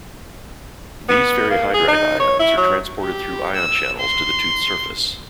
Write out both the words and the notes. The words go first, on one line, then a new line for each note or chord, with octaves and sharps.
These ferrihydrite ions are transported through ion channels to the tooth surface.
B3
A#3
G#4
D#4
C#5
E4
F#3
G4
E6
C6